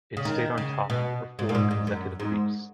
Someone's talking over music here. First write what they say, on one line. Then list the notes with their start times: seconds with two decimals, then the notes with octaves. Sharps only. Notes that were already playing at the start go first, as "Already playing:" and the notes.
It stayed on top for four consecutive weeks.
0.17 C#3
0.25 D#3
0.58 C#3
0.90 B2
1.39 G#2
1.49 A#2
1.55 G#2
1.71 G#2
1.87 F#2
2.20 G#2